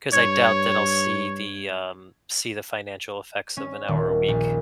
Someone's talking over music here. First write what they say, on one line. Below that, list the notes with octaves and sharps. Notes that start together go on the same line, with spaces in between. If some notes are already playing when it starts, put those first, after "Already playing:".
'cause I doubt that I'll see the, um see the financial effects of an hour a week.
G2 C#5 G#6
C#4
D#1
A#1